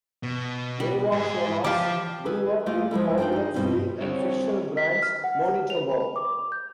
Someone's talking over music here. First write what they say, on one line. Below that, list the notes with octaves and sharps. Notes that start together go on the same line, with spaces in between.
Nevakshonoff grew up in Poplarfield and Fisher Branch, Manitoba.
B2
G3
G#2 G#4
F3 G4 F5 A5 D6
G#4 A4 B4
A3 A#3 F4 G#4
F3 G#3 E4 A4
D4 D#4 F4 C5 G5
D#4 G#4
G2 B2 C4 D#4 E4
C2 C3 C#5
B6
F6
F#5
G4
F7
B5
D6
G6